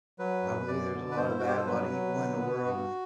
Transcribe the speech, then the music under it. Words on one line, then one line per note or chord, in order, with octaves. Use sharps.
I believe there's a lotta bad, a lotta evil in the world
F#3 B4
F#2
F#2 D5
D3
B4
G2 C5
E4
G2 F#4
G4
A4
F#3 B4
F#3
D3
B3
G2 F#4